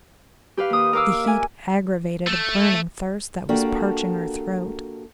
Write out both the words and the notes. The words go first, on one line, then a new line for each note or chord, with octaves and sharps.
The heat aggravated a burning thirst that was parching her throat.
G4 B4 F5
D#2 D#6
A#4 D#5 F5 D6 E6
E5 G#5
A3
A#3 D4 F#4 G4 A4